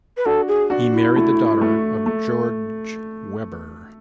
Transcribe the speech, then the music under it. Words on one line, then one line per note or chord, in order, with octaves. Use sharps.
He married the daughter of Georg Weber.
B4
D4 F#4 A4
G#4
D4 F#4
E4
A3
A3
A3